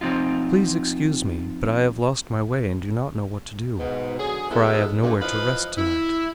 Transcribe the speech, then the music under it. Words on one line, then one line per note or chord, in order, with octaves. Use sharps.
Please excuse me, but I have lost my way and do not know what to do, for I have nowhere to rest to-night.
F3 C4 D#4 F4
G#2 B2
D3 F#3 G#4
F#3 G#3 B3 E4 A4
G2 A#2 C#3 A3
E3 F3 B4 D#5 F5
E4